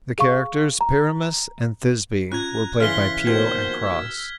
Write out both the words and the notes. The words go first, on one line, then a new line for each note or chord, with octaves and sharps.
The characters Pyramus and Thisbe were played by Peele and Crosse.
G#4 F5 C#6
A#5
C#4 F4 A#5 F#6 G#6
C#3 E3 G#4 D#5 C6 F6 B6 G7
A#1 B2 D#3 C5 G#6
E6